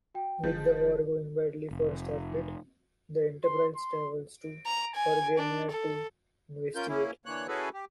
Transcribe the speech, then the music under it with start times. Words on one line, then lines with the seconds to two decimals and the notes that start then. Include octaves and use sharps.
With the war going badly for Starfleet, the "Enterprise" travels to Organia to investigate.
0.14 F#4 G5
0.44 F#1 F3 G#3 G6
1.71 F1
3.44 C6
3.76 C6
4.66 A#5
4.96 G#5
5.38 D4
5.71 A4
6.75 C#4 F4 A#4 G6
6.88 A#3 C#4 E4
7.26 D3 E3 A#3 C#5 F#6
7.48 C#4 E4 F#4 G#4 A4 B4
7.74 G4